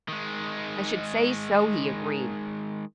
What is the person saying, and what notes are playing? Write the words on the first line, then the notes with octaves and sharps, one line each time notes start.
"I should say so," he agreed.
D#3 G#3